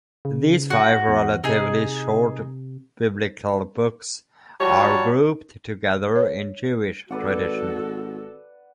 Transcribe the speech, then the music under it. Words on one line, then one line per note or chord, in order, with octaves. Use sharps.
These five relatively short biblical books are grouped together in Jewish tradition.
C#3
F#4
E2
C3 D#4 G#4
F3 G3 F#4 C#5 A5 A#5
C#5
G#1 F#4 A4 B4 D5 F#5